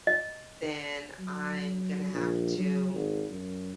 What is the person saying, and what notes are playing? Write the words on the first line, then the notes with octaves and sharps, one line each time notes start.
then I'm gonna have to,
D#5
F#3
A#1
F#3
G#1
F#2